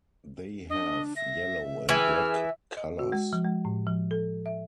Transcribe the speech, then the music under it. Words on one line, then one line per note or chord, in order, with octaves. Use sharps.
They have yellow and black colours.
D4 D#5
E5 A#6
E3 G#4 B4 E5 G#5 F6
D#5
F#4
G#3
F3
G#3
A2
F3
A4
E5